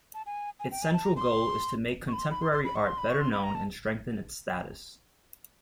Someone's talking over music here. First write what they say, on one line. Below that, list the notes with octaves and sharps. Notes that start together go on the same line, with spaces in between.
Its central goal is to make contemporary art better known and strengthen its status.
A5
G#5
G#5
G5
G#5
A5
A#5
C6
C#6
B5
C6
B5
C6
C6
B5
C#6
C6
B5
C#6
C6
B5
A#5
A5